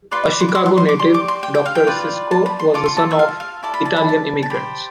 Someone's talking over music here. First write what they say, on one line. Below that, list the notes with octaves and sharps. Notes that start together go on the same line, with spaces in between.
A Chicago native, Doctor Sisco was the son of Italian immigrants.
F4 B4 D5 C6
D6
C6
D6
C6
C6
C6
D6
G4 D5 C6
D6
C6
G5
G5
F5
G5
F4 B4 D5
A5
B5
C6
F4 A4 D6
C6
A5
E5
F5
F5
E4 A4 D5 A5
B5
A5
B5
A5
A5
G4 C5 B5